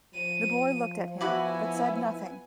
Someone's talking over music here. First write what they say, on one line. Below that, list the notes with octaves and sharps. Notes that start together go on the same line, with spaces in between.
The boy looked at him, but said nothing.
F3 D#7
B3 E4 F#4 G#5 B5 D6